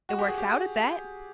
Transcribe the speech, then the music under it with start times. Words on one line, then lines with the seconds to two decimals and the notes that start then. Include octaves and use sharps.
"It works out at that."
0.09 F#4
0.19 G4
0.28 G#4
0.38 G4